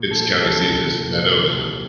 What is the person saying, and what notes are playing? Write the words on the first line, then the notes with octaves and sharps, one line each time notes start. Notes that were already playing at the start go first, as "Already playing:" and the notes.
Its county seat is Mahnomen.
Already playing: A#2
A4
F3
A4
G4
C2 A4
C2
A#2
F3
C2 G4